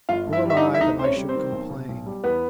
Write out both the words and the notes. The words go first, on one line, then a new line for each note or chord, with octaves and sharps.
Who am I that I should complain?
G1 F4 F5
G2
E4 E5
G3 E5
D#4 D#5
E3
E5
D2 D#4 D#5
C3 C5
C#4 C#5
G3
C4 C5
D#3
B1
B2
B1
G3
E2 B3 B4